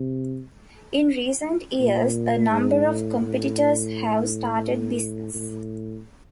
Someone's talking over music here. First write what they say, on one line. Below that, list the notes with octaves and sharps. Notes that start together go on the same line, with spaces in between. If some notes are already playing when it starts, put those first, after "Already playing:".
In recent years a number of competitors have started business.
Already playing: C3
A#2
G#2
A2
A2
A2